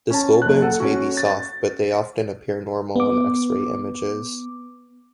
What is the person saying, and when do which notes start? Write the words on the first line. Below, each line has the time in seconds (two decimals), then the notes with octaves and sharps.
The skull bones may be soft, but they often appear normal on X-ray images.
0.10 C#4 A5
0.42 F#1 F#6
0.62 A4 F#5
0.80 C#4 F#4
1.17 A6
2.96 B3 D6